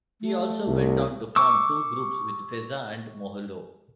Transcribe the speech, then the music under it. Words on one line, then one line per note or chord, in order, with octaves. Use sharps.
He also went on to form two groups with Feza and Moholo.
A3
C2
C#6 D6 E6